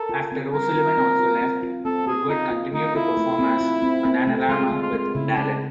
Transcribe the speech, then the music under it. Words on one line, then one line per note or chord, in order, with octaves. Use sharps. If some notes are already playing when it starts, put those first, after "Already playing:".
After O'Sullivan also left, Woodward continued to perform as Bananarama with Dallin.
Already playing: A4 A#4
F4
C4
G3 A#4
F4
C4
F4
C4
F4
C4 A4
C4 G#4
D#4 F4
F4
A3 D#4
E4 F4
A3
C4
F4
C4
C4
A3
G#3 F4
F4
G#3
F4
G#3
F4
C#3 E4
G#3 D4